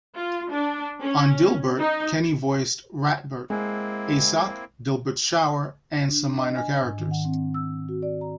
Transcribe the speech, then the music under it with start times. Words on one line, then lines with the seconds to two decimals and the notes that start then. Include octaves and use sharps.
On "Dilbert", Kenny voiced Ratbert, Asok, Dilbert's shower, and some minor characters.
0.15 F4
0.51 D4
1.01 C#4
1.79 D#4
3.50 G#3 A#3 C4 E4
6.09 D4
6.39 D#5
6.56 G#5
6.81 G#2
6.99 D#3
7.11 F#5
7.25 C4
7.54 E6
7.89 F#4
8.02 D5
8.21 A#5